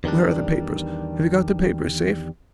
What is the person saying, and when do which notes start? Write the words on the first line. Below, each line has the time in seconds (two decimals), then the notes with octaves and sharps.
Where are the papers?--Have you got the papers safe?
0.04 E2 D#3 G3 D4